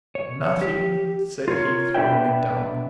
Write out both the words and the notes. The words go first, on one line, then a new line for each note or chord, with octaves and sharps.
"Nothing," said he, throwing it down.
C#5
G4
F4 A#4 C#5
B2 D4 B4 D5 E5 G5